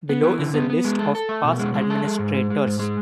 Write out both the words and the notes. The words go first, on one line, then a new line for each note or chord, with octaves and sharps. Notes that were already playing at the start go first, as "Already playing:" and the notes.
Below is a list of past administrators.
B3
E3
D3
B3
B3
G#3
A4
A4
A3
B2
G#3
G#3
A4
G#3
G#2
G#3
G#3
G#2
G#3